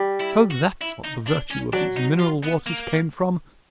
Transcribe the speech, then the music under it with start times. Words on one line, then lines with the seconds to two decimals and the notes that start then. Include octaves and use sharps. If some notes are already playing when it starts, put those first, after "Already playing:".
So that's what the virtue of these mineral waters came from!
Already playing: G3
0.20 E4
0.51 F#4
0.82 E4
1.05 D#4
1.27 D4
1.51 C#4
1.73 F#3 D4
1.97 D#4
2.19 F4
2.44 B3
2.66 A#3